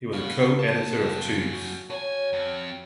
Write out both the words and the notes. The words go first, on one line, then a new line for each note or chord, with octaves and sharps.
He was co-editor of Jews.
B2 F5 F#5
F#2 A5
G5
F#4
B2 C#5 G#5
F2